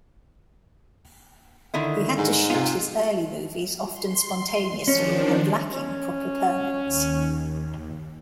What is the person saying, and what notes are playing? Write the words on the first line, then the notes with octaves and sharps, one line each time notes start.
He had to shoot his early movies often spontaneously and lacking proper permits.
D3 D#3 E4
G#2
C3 F4
C6
D#3 F3 C#4 D4
C#4
D#2